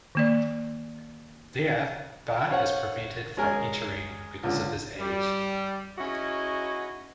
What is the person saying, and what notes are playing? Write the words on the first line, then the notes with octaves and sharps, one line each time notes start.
There, Bart is prevented from entering because of his age.
D#3 A#3 D5
C#4 C5 C#5 F5 F#5
G#3 C#4 G#4 A#4 G#5
C#2 A#2 D3
G3
C#4 D#4 E4 F#4 G#4 D#5